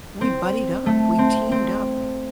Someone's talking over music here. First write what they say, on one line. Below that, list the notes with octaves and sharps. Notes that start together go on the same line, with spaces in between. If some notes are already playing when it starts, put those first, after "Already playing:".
we buddied up, we teamed up.
C4
A3
C4
C4